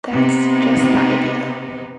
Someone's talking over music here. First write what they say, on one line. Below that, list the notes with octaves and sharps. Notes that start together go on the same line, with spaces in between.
That's just the idea.
C3 B3 D#4